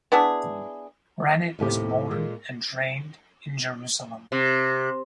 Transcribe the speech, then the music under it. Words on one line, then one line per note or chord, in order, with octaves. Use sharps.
Granit was born and trained in Jerusalem.
B3 D4 E4 G#4
D#2 A2 C3 G4
A#2 G#3
C3